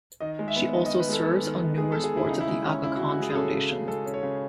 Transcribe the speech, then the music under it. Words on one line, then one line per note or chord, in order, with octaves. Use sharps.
She also serves on numerous boards of the Aga Khan Foundation.
D#3 D#5
G#3
E5
B3
D#3 D#5
D#5
D#3
B4
G#3 A4
B3
D#3
D#3
G#3 G#4
A4
B3
G#4
D#3 E4
C#3 D#4
E4
G#3
C#4
C#3 E4
F#4
C#3
F#4
G#3 G#4
G#4
C#4 A4
C#3
C#3
G#3 A4
C#4
C#5
C#3